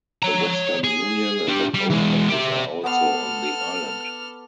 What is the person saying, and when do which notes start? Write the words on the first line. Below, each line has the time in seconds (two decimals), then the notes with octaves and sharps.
A Western Union and a post office are also on the island.
0.23 C#5 A#5
0.84 G#4
1.48 D4 G4
1.74 G3
1.90 E3 G#3
2.28 G4 E5
2.83 B3 A4 D5 C6 F6